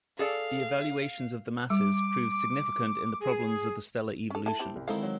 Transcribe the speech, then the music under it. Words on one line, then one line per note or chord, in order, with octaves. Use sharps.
The evaluations of the masses proved significant in the problems of the stellar evolution.
G#4 A4 D5 F5
G3 D6
G#4
C#4 A4
E4 A4 A5
C4 E4 G4
C2
D#3 G#3 C4 D#4 E4 A4 F5
F#3